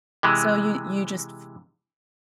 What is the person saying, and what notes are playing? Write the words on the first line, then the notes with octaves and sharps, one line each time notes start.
So you you just f
C3 E3 G#3